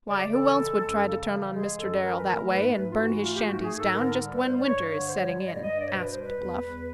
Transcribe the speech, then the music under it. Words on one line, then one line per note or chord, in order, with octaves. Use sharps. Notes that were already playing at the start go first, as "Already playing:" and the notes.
"Why, who else would try to turn on Mr. Darrel that way, and burn his shanties down just when winter is setting in?" asked Bluff.
C#3 D5
E3 A4
G#3
F#2
C#3
E3
G#3 G#4
F#2 A4
E3 A#4
B4
A3 A#4
G#2 B4
G#2 B4
F4
E3 F#4
A3 F4
G4
G#2 F#4
G#4
G#2
A4
D3 A#4
G3
B4
G2 C5
D5
G2 C#5
D3 C#5
C5
G3 C#5
G2 D5
D#5
D5
G2 D#5
D5
B2 C#5
C5
B4
G3 C5
B4
E2
E2